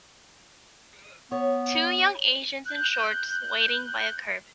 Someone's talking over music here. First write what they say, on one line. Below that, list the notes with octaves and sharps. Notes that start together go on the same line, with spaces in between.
Two young Asians in shorts waiting by a curb.
B3 C#5
F#6 G6